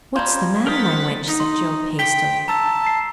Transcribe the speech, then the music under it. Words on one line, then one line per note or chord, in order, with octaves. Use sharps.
"What's the matter, my wench?" said Job, hastily.
F3 G3 A#5 G6 G#6
A#4 C5 F#5 D#6 A6 B6
D#4
C6
G5 B6 G7
A5 A#5 E6
C7